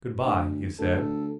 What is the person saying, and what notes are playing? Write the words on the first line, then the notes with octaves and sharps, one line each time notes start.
"Good-bye," he said.
D2
D2 A4